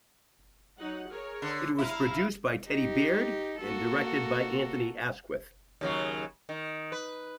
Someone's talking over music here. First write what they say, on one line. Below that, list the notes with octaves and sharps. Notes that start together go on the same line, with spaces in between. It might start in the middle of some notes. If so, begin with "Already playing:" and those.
It was produced by Teddy Baird and directed by Anthony Asquith.
F#3 D#4 F#5
G#4 A#4 C#5
D3
E4 F5 A#5
D#4 G4
A#3 F#4 A4
D#2 C#3 F#3
D#3
B4